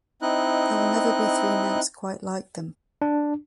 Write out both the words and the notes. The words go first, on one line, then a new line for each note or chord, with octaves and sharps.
There will never be three notes quite like them.
C4 D#4 E4 D#5 F#6
D4